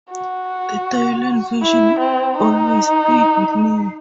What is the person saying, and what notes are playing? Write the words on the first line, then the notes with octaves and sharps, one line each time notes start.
The Dylan version always stayed with me.
F#4
E4
C4
D#4